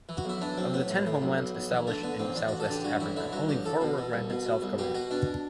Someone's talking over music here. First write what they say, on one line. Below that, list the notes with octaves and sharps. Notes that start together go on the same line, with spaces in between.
Of the ten homelands established in South West Africa, only four were granted self-government.
E3
F#4
B1 E4
E3 D4
B1 C4
A2 B3
A2
A2
B1
B1
B1
E3
D3 A3
D3 B3
A1 C4
A1 D4
A1 F#4
A4
D3 G4
G2 F#4
A1 E4
D3 E4
G2 F#4
A1 G4
A1 A4
B2
B2
C2
B2
B2
C2
B2 G4
B2 F#4
B2 D4